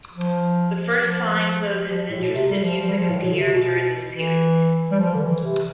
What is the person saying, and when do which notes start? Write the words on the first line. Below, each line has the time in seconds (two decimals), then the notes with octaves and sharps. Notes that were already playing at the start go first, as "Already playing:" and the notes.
The first signs of his interest in music appeared during this period.
0.13 F3
1.01 F3
1.90 F3
2.11 A2
2.20 B2
2.34 C3
2.49 G3
2.63 F3
2.79 F3
2.88 G3
2.98 F3
3.10 A2
3.22 B2
3.32 D3
3.37 C3
3.52 B2
4.11 E3
4.91 G3
4.99 F3
5.14 D3
5.21 E3
5.43 C3